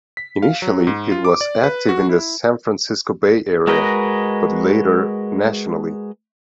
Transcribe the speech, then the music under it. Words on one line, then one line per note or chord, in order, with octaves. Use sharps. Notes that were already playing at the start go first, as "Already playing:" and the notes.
Initially it was active in the San Francisco Bay area, but later, nationally.
B6
F5
F#3
G#2
F4
D6
D5
B4
F#4
E4
G#3 F#4 A#4 B4 D#5